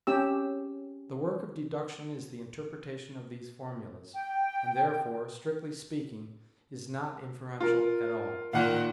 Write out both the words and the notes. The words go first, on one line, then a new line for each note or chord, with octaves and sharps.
The work of deduction is the interpretation of these formulas, and therefore, strictly speaking, is not inferential at all.
C#4 G4 E6
G5
F4 A#4
A#2 D#3 F5 F#5